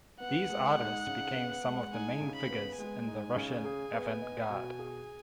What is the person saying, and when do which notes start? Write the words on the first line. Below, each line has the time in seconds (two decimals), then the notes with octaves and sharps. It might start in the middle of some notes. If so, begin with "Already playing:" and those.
These artists became some of the main figures in the Russian avant-garde.
0.20 B3 F#5
0.49 G#3
0.78 D#4
1.07 C#3
1.35 B3
1.64 G#3
1.92 D#4 G#5
2.21 C#3
2.36 B5
2.50 B3
2.79 G#3 G#5
3.07 D#4
3.36 C#3
3.64 G#4
3.93 B3
4.22 D#5
4.50 B2
4.79 G#4